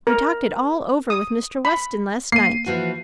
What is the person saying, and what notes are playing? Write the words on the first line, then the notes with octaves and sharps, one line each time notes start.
We talked it all over with Mr. Weston last night.
A#4
D#6
B5
A#3 C7 D#7
E3 F3 F#4